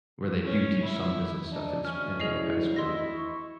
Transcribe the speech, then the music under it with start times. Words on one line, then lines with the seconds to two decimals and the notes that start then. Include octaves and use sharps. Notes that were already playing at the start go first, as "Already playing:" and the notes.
where they do teach some business stuff in s in, like, high school.
0.44 C#4
0.81 E4
1.52 D4 D#4
1.85 D2 C#4 F6
2.20 E4 G#4 D#5 C7
2.76 E4 D#5 C6 A#6
3.13 C#6